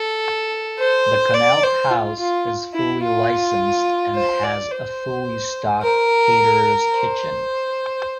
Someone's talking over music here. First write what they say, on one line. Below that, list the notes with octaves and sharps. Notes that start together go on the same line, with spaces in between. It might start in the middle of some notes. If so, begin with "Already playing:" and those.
The Connell House is fully licensed and has a fully stocked caterer's kitchen.
Already playing: A4
C5
D5
C5
F4
F4
E4
F4
C5
D5
C5
A#4
C5